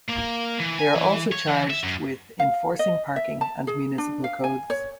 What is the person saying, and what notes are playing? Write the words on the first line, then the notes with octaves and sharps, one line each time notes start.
They are also charged with enforcing parking and municipal codes.
A#3
E3
G#5
E3
C#5
E3
E5
F#2
F5
D#5
E5
A5
G#4
D4
F5
G#5
C#5